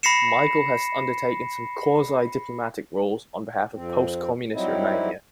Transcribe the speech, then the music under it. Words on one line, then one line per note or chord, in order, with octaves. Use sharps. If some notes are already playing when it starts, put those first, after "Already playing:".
Michael has undertaken some quasi-diplomatic roles on behalf of post-communist Romania.
B5 A#6 C7 C#7 E7
F2 C4
F#3 G3 C4 D#4 E4